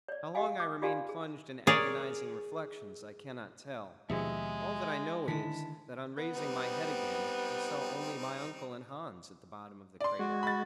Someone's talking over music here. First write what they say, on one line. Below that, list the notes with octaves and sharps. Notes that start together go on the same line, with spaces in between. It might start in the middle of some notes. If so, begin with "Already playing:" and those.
How long I remained plunged in agonizing reflections I cannot tell; all that I know is, that on raising my head again, I saw only my uncle and Hans at the bottom of the crater.
C#5 D5
G4 D#5 F5 G#5
D6
F4 G4 D5 F5 G#5 C6
G#4
G#4 A#4 C#5 D5
D#2 B2 F3 G#3 G4 G#4 E5
D3 D#3 E4 A5 B6
B3
G3 C4 D#4
D5 C6
G#3 F#4
B5 A6